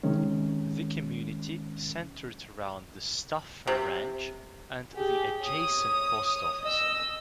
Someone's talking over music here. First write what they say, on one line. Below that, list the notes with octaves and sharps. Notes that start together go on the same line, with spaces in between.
The community centered around the Stauffer ranch and the adjacent post office.
C3 D#3 G#3 C#4
C3
G4 G#4
C#5 D#6
D#5 E6